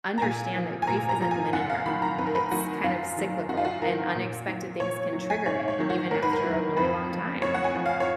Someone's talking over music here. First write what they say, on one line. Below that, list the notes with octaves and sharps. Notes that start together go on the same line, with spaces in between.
understand that grief isn't linear. It's kind of cyclical, and unexpected things can trigger it even after a really long time.
A#5
A#2 G#5
F3
G#5
A#2 A#5
A#5
F3 A#5
G#5
F#2 F#5
F5
D#3 F#3 B5
A#5
F#2 B4
A#4
B4
D#3 F#3 F#4
F#2 F4
D#3 F#3
F#2 F#4
F4
F#4
D#3 F#3 A#4
A#2
F#3
A#2 C#5
F#3
G#5
G#2 C#5
C#5
D#3 F#3
F#4
G#2 A#4
B4
A#4
D#3 F#3
F2 B4
F3
F2 C#5
F#5
G#5
F3
F5
C#5